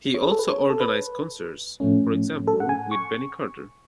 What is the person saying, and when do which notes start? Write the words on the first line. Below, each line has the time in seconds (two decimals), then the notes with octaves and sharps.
He also organised concerts, for example with Benny Carter.
0.14 C#5
0.22 G#4
0.31 A4
0.39 B4
0.47 C#5
0.70 A4
0.80 B4
1.80 A2 F3 A3 C#4
2.47 A4
2.60 F#5
2.69 G#5
2.91 C#6